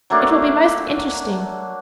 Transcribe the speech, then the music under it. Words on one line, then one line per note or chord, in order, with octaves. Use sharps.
It will be most interesting.
F#3 A3 A#3 D4